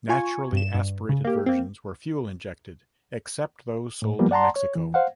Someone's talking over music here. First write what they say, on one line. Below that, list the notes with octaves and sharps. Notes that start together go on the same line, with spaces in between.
Naturally aspirated versions were fuel injected, except those sold in Mexico.
F4 G#5 C#6
G2 E7
G2
C#3
A#3 G4
A#3 C4
A2
F3 G3 A#3 B3
D5 F#5 A5 A#5 C6
C#5
E3
C5 F5 F#5